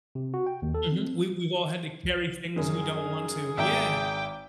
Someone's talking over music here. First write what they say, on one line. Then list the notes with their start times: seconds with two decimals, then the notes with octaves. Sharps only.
Mhm, we we've all had to carry things we don't want to, yeah.
0.15 C3
0.34 F#4
0.47 G5
0.62 D#2
0.74 A4
0.92 C4
2.56 F#2 D#3 G#4
3.57 G#1 E5 G5 A#5 D6